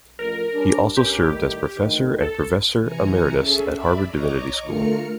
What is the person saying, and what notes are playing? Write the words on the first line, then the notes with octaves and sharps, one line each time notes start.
He also served as professor and professor emeritus at Harvard Divinity School.
A1 F2 A#4
G3 C#4 D4
G2 C#4 G4 A#4
A2 D#3 G3
D2 D#3
A4
C3 E3 G#5 A#5 C#7
C#4 G#4 A4 E5
D5 E5 B5
C#5 D#5 A#5 C#6 D6
D3 A3 F4 A#4 F6 C#7